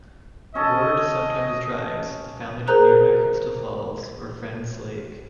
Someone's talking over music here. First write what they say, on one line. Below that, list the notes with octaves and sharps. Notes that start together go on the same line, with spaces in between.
Ward sometimes drives the family to nearby Crystal Falls or Friends Lake.
C#4 A4 D#5
G#4 A#4 C5 A#5 F#6